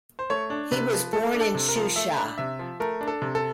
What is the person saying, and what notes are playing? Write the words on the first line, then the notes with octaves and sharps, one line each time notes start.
He was born in Shusha.
C5
A3 C#5
D4
C3 B4
F3
A3 A4
D4
A4
C3
A#4
F3
A3 E5
D4
C3 E5
F3
A3 A#4
D4
A4
C3
A4